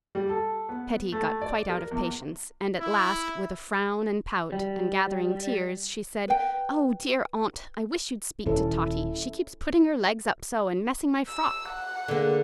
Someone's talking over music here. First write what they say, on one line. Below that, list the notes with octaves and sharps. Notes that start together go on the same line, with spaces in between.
Hetty got quite out of patience, and at last, with a frown and pout, and gathering tears, she said, "Oh dear, Aunt, I wish you'd speak to Totty; she keeps putting her legs up so, and messing my frock."
G3
A4
B3
A3
D5
A#4
E2
E4
G3
B4 G5
D#1 C#4 E4 A4
E6
F#5
D3 A#3 G#4